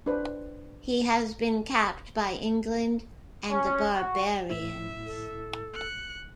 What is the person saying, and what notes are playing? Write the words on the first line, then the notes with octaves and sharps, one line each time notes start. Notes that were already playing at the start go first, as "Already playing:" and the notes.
He has been capped by England and the Barbarians.
D4 B4 C5
C#4
F#4
A2 E4 E5
A4
F#6 C#7